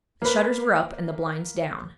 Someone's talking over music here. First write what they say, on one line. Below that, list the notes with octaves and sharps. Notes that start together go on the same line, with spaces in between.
The shutters were up and the blinds down.
A#3 B4